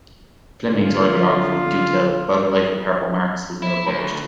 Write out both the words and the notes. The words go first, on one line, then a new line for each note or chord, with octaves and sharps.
Fleming's autobiography, "Do Tell", about her life with Harpo Marx, was never published.
D3 F4
E4
D2